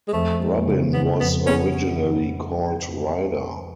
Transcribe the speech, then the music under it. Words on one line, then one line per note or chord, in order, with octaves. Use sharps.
Robin was originally called Ryder.
G#3
F2 A3
G#3
C#3
C#3 B3
F2 B3
B3 C#4